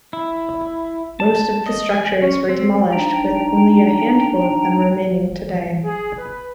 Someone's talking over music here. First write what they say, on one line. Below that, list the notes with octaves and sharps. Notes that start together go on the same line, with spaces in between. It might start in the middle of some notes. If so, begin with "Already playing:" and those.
Most of the structures were demolished with only a handful of them remaining today.
E4
A5
D#5
G#5
C#4
C4
D4 D#4 G5 A#5
G#4
B4